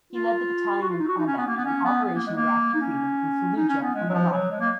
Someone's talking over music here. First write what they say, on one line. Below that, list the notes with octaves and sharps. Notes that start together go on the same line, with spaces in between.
He led the battalion in combat during Operation Iraqi Freedom in Fallujah and Ramadi.
F4
F#4
F4
D#4
F#4
D#4
C#4
B3
A#3
B3
C#4
B3
B3
A#3
G#3
A#3
D#4
C#4
D#4
C#4
B3
G#3
F#3
F3
F#3
G#3
A#3